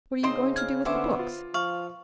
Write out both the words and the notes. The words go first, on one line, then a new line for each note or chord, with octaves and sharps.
What are you going to do with the books?
C#3 C4 D#4 C5 C6 D#6
F6 G#6
D3 B3 C#4 C5 E5 D6
F4
F3 F5 C#6